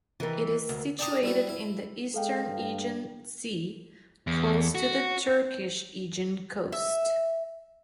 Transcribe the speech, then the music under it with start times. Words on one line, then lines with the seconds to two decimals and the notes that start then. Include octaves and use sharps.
It is situated in the eastern Aegean Sea, close to the Turkish Aegean Coast.
0.20 D#3 E3 G3 A#4 B4
0.69 D2
0.99 D5 G5 A5 A#5 D#6
1.23 G3 E4 F#4
1.49 E4
2.14 G#3 A4 F5 G5
2.46 G2
4.27 E2
4.75 F#4
6.72 E5